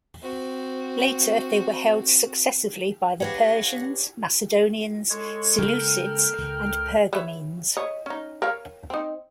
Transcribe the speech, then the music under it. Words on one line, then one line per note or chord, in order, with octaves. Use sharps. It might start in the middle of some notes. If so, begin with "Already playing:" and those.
Later they were held successively by the Persians, Macedonians, Seleucids, and Pergamenes.
C4 F#4
D4 G4 G#4 B4 C#5 F5 F#5 A#6
G#3 A4 C#5
C#3 G#3 A#3 A#4 G5 F6
C#2 C#3
B4 C#5 E5
C#5 D#5
C#4 D#4
A#4 C#5 F5
C4 D#4